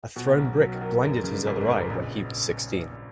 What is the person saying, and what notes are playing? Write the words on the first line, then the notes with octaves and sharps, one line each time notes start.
A thrown brick blinded his other eye when he was sixteen.
B2 F3
B1
C#3
F#3
D#3
F#3
F#2 B2
C#3
A#2
G#1
B2
C#3
A#1 B2